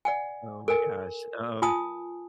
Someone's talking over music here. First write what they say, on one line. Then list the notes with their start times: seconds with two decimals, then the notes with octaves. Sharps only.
Oh my gosh, um
0.05 D5 F#5 G#5
0.68 A4 A#4 G#5
1.62 F4 G#5 A5 D#6